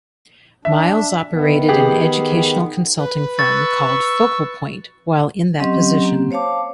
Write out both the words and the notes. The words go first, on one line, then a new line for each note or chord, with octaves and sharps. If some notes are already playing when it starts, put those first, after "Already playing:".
Miles operated an educational consulting firm called Focal Point while in that position.
D4 E5
D#3 B3
G4 G#4
B4
C#6 E6 A6
F#3 C4 C#4 G4 D#5 C6
A#3 C4 G4
C5 C#5 F5 A5 D6